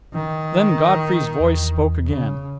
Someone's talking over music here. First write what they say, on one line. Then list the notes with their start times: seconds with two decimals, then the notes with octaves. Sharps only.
Then Godfrey's voice spoke again.
0.14 D#3
1.40 E2
2.07 C#3